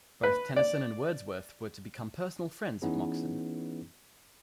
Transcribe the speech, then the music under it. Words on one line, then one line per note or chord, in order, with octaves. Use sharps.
Both Tennyson and Wordsworth were to become personal friends of Moxon.
B4
D5
E3 B3 C#4 D#4 E4 G#4